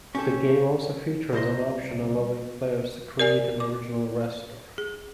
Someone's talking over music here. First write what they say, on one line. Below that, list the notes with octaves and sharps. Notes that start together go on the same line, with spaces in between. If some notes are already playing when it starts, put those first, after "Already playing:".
The game also features an option allowing players to create an original wrestler.
C#4 G4 A4
C2 C5 D#5 C6
A#4 D5 G#5
D6
G#4